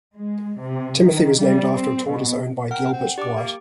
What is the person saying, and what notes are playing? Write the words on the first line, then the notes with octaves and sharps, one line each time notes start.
Timothy was named after a tortoise owned by Gilbert White.
G#3
C3
D#3
G3
C4
B2
A#4 F#5 G5
C4
D4 G4 D6
A#3